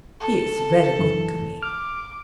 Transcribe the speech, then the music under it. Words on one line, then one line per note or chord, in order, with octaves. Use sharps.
He is very good to me.
A4
F#2 E3
D6 F6